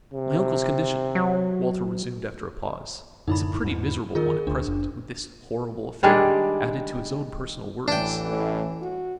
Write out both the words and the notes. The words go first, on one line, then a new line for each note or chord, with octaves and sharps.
"My uncle's condition," Walter resumed after a pause, "is a pretty miserable one at present, with this horrible affair added to his own personal worries."
C3
F#3
F#2 A2 D3 D#4 E4 B5
E2 G#2
D#3 F4 G#4 A#4
D2 D4
F#1
D#3 G3 G#3 D4
A1 E3 D4 G5
A2
F#4